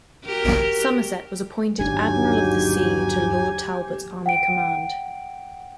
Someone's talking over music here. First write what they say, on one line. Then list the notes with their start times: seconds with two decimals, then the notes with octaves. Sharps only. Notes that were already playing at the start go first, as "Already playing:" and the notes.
Somerset was appointed Admiral of the Sea to Lord Talbot's army command.
0.24 F#4 G4 A#4
1.79 G1 D#2 G#2 F#3 D4 G4 G#5
4.26 F#5 G5 D7